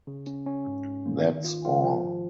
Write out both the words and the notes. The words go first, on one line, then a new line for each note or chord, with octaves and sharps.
That’s all.
C#3
C#4
C#4
G#2
G#2
A#3
D#3
F4
F4
F3
G#1